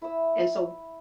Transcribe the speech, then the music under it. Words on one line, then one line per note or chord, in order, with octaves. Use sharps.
And, so
E4 E6